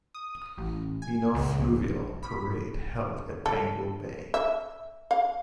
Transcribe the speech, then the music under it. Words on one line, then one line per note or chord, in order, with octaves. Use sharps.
Nino Fluvial Parade held at Panguil Bay.
D#6
A1
G#5
C#2
A#1
B5
A4
E5
F5